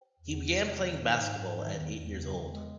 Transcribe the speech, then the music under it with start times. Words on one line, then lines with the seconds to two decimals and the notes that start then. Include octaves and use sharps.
He began playing basketball at eight years old.
0.20 E2
0.39 C3
0.59 E2
0.78 D#3
0.98 G#2
1.16 G#2
1.37 G#2
1.56 D#3
1.75 E2
1.95 E2
2.14 C#3
2.34 E2
2.53 G#3